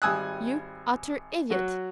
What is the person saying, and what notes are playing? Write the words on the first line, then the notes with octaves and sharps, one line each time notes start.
You utter idiot!
G#1 G3 G#5 D#6 E6 F#6
F#3 F#4